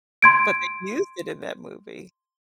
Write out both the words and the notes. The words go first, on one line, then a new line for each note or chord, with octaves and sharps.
But they used it in that movie?
C6 G#6 D7